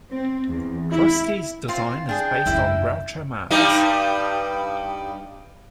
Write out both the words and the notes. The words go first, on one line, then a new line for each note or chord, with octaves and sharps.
Krusty's design is based on Groucho Marx.
C4
E2
E4
C4 F4
D4 G#4 G5
F#2 A2 C#3 E4
G2 G3 D#4